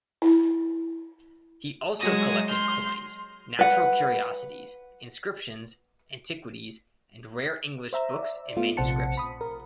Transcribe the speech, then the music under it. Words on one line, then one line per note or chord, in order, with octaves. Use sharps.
He also collected coins, 'natural curiosities,' inscriptions, antiquities and rare English books and manuscripts.
E4
F#3 G#3 D#6 A#6
C6 F6 G6
B4 F#5
C5 E5 A#5 E6
D5 E5
A3 B3 F4
A#1 C3 C5 F#5 A5 C#7
B5 D#6
A#4